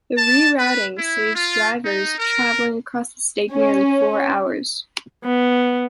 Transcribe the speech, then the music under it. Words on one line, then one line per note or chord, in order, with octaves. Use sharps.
The rerouting saves drivers traveling across the state nearly four hours.
A5
B4
E4
F4
D#4
A#4
C#4
B3